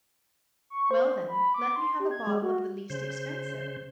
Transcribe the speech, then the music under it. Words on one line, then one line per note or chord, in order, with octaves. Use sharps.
"Well, then, let me have a bottle of the least expensive."
C#6
C5
B5
D6
C6
G4
G#6
G#3
F#4
C#3 C5